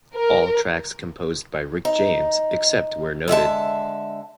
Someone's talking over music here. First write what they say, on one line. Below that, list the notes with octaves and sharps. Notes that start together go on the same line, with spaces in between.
All tracks composed by Rick James, except where noted.
A#4
D#4
D3 G#3 E5 A5